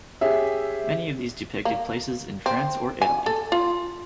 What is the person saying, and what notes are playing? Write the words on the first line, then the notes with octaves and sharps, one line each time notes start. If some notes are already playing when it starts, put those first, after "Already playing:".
Many of these depicted places in France or Italy.
C#4 G4 G#4 E5
A#3
C4
G#5
A4
F4